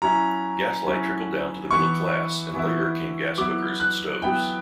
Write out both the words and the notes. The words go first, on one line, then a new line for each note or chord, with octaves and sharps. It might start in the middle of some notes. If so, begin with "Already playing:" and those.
Gaslight trickled down to the middle class and later came gas cookers and stoves.
F#3 C#4 E4 A#5
F#3 C#4 E4
E3 B3 E4 C#6
E3 B3 E4
F#3 B3 E4 D6
F#6
F#3 B3 E4 G5